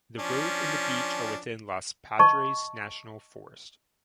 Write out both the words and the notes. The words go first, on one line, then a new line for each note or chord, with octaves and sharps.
The road and the beach are within the Los Padres National Forest.
F3 C#4 D4
D#5 A5 C#6